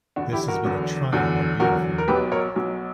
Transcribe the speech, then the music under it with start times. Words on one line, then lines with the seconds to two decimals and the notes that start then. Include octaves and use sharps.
This has been a trying ordeal for you.
0.16 E2 D3 F#3 D4 F#4
0.33 E4 G4
0.48 F#4 A#4
0.64 E2 D3 F#3
1.12 E2 D3 F#3
1.60 E2 D3 F#3 F#4 A#4
1.98 A#4
2.08 B1 B2 F#3 G4 B4
2.32 A#4 C#5
2.56 B1 B2 F#3